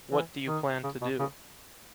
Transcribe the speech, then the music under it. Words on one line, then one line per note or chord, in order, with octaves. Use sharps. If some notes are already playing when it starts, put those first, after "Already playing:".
What do you plan to do?
E3
D#3
C#3
B2
C#3